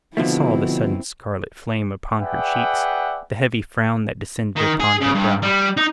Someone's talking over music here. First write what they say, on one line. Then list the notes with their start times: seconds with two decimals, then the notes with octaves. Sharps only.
He saw the sudden scarlet flame upon her cheeks, the heavy frown that descended upon her brow.
0.17 B2 D3 F3 A3 C4 E4
2.19 G#4 B4 D5 E5 F#5 G5
4.56 D#3
4.80 G#4
5.01 C#3
5.15 G2
5.43 G3
5.77 D#4